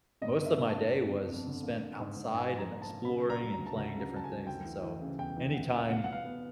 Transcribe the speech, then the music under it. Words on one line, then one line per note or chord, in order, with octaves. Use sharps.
most of my day was spent outside and exploring and playing different things, and so, anytime
G1 D#5
D3
E5
D3
A5
G1
F2
G1
F2
D3
A#3
A#3
G#2
G#2
G#2 G#5
F3
A#5
A#3
A5
A#3
C#3 B5
F#3
A#5
F#3
A#5
D2
A5
D2 A#5
C#3
A#5
F#3 A5
G#5
F#3
D2 G5
E3
E3
C#3
E1 G5
E3
C#3 F#5
E3
B2 F#5
F5
F#5
B3
F5
B3